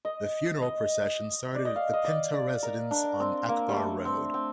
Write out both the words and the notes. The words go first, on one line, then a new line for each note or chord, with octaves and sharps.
The funeral procession started at the Pinto residence on Akbar Road.
D#5
D#5
D5
D#5
F5
D#5
D5
D5
A#4
D4
C4
A#3
G3
A3
C4
C4